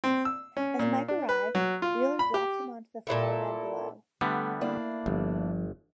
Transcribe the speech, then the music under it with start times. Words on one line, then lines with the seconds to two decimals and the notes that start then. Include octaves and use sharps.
As Mike arrived, Wheeler dropped him onto the flowerbed below.
0.04 C4
0.25 E6
0.57 C#4
0.79 A#2
1.08 D4
1.29 B4
1.55 F#3
1.82 F4
2.19 B5
2.34 G4
3.07 A#2 E3 E4 A4
4.21 D3 G3 A3 B3
4.61 A#3 D4 E4
5.06 G1 F3